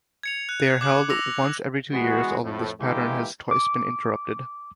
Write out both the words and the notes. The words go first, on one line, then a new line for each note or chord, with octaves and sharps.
They are held once every two years, although this pattern has twice been interrupted.
G#6 C#7 F7
F#6
D6 F#6 F#7
D6 E6 A#6 F7
E3 G#3 B3 F#4
F2 A2
D3 E3 G#3 A#3 E4 G4
D6